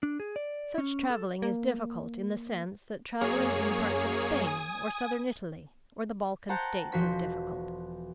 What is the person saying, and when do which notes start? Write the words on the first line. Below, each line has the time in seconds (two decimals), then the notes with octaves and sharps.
Such travelling is difficult in the sense that travelling in parts of Spain or southern Italy or the Balkan states is difficult.
0.03 D4
0.20 G#4
0.36 D5
0.78 C#4
1.10 A4
1.42 A#3
3.21 F#2 A#3 G#4 C#5
4.44 G#5 D#6
6.49 C5 F#5 G5 A5 A#5
6.92 E1 F3 F#4 C5 B6